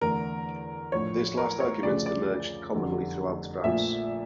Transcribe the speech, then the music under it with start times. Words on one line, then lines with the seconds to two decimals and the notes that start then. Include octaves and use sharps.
This last argument emerged commonly throughout France.
0.01 E2 D3 A3 A#4
0.92 A#1 A2 F3 C#5
1.38 A#4
1.60 C#5
1.83 D2 C#3 F3 A3 D5
2.06 D5
2.73 F1 F2 D3 G3
3.64 A#1 A#2 F3 A3 E5